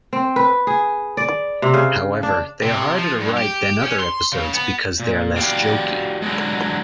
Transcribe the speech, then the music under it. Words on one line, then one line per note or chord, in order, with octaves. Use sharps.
However, they are harder to write than other episodes because they are less jokey.
C4
B4
G#4
D5
C3
C#3
D4
C3
F3
G2
G4
C#4
C6
C#3
B3
A#2
F#4 G4 D5 F5 G5
D3 F#3 G#3